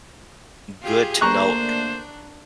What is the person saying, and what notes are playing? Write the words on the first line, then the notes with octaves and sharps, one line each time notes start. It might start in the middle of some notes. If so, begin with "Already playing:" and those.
good to note,
F4 G4 G#4
D3 A3 A#3 D4 C5 A#5 C#6 F#6